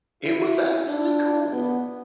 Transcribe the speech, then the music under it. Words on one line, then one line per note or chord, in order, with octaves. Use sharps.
It was actually cool.
E4
D4
B3